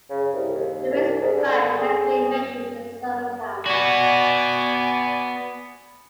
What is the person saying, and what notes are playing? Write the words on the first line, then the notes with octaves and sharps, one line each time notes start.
The Riggs Bank has been mentioned in some accounts.
C#3
C2
D#2
C2
G#2
D3
G#4
B3 F#4 D5 G#5